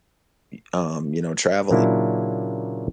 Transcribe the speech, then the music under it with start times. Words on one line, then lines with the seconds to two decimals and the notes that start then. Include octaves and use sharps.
y um, you know, traveling.
1.71 A#2 C#3 F#3 A#3 D4 E4